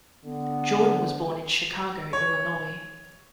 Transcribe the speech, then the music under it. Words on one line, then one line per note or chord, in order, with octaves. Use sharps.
Jordan was born in Chicago, Illinois.
D3 B3
C#5